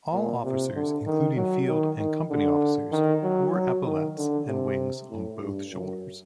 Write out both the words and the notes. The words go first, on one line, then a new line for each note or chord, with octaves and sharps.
All officers including field and company officers wore epaulettes and wings on both shoulders.
A#2
C3
D3
D#3
F#3
D#3
D#3
D3
D#3
F#3
F#3
D#3
D3
C3
A2
G2
F#2